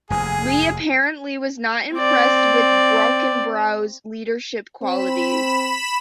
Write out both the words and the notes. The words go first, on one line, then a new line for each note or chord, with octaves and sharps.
Lee apparently was not impressed with Brockenbrough's leadership qualities.
F1 D#2 G#4 G#5
C4 D5
C4 B5 E7